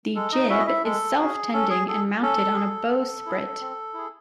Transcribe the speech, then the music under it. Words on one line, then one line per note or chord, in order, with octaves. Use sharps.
The jib is self-tending and mounted on a bowsprit.
G#3 A4
D#4 D#5
C#4 E4 F#4 E5
D#5
E4 E5
G#3 A4
C#4 F#4 G#4
C#4 A4
G#4
G#4 A4
C#4 A4
G#4
C4
E4 G#4
C4
E4 G#4